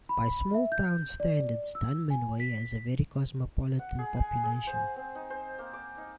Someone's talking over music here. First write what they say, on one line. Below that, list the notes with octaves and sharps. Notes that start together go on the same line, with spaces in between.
By small town standards Dunmanway has a very cosmopolitan population.
B5
E5
G6
D5
E6
G#5
B6
F#5
G#4
G#5
G#4
C5
C4
D#4
C5
A#3
D6
D#4